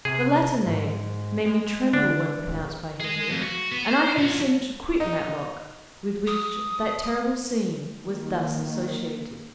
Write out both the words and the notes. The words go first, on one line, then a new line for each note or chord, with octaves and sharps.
The latter name made me tremble when pronounced by Henry, and I hastened to quit Matlock, with which that terrible scene was thus associated.
C3 G#4
G#2
G#3
D3 D4
D1
G#4 D#5
F2
F#4
B3
C5
F3 F#4
D#4
D#6
D#3 A#3